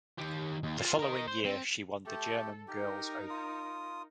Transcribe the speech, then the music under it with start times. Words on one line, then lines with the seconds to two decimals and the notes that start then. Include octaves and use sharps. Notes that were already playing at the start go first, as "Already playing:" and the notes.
The following year she won the German Girls Open.
0.19 D#3 G4
0.63 D#2
0.78 F4
0.99 A#4 D#5
1.28 C5
1.45 C4
2.06 A3 G4 A4
2.68 D#4 G4 A#4
3.30 F4 D#6